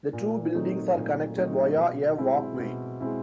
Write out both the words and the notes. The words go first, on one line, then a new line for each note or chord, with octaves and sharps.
The two buildings are connected via a walkway.
A#2
F#3 A3 C4 D#4
A#2
F#3 A3 C4 D#4
B2
G#3 C4 E4
B2
G#3 C4 E4